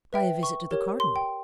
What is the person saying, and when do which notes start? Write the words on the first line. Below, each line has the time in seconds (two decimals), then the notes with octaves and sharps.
"By a visit to the cardinal."
0.13 B4 E5 G5
0.43 C#6
0.71 G4 A#4 C#5
1.00 C6
1.16 G5